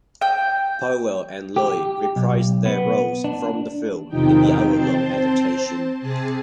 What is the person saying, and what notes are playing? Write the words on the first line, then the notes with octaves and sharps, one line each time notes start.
Powell and Loy reprised their roles from the film in the hour-long adaptation.
G5
G4
B1
B3
D4
E2 C3 D#3 F3 D#4 G5
C4 C5 A5 C6
C3 G#4 G#5 A5